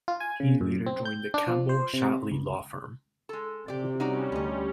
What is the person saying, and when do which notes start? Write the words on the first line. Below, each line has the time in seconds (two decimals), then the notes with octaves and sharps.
He later joined the Campbell Shatley law firm.
0.08 F4
0.20 G#5
0.40 C#3
0.61 F#2
0.86 C4
1.05 G6
1.34 D4
1.47 F3
1.69 C5
1.93 C3
2.31 C#2
3.29 G#3 A4
3.68 C3 G4 D5
4.00 G3 C#4 D#4 F#4 D5
4.32 D2 G#2 D#5